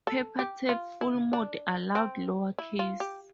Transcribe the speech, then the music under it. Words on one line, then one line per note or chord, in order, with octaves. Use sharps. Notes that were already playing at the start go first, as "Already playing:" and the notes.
Paper tape 'full' mode allowed lower case.
A4
G4
F4
E4
D4
C4
E4
F4
G4